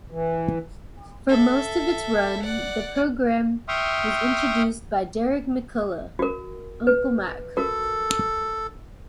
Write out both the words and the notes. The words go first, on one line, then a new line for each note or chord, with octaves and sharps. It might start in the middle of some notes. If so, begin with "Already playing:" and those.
For most of its run, the programme was introduced by Derek McCulloch, Uncle Mac.
E3
A4 E5
D5 F#5
E5 G5 C6 C#6 D#6 F6
F#4 A#4
B4
F#4 A4 A#4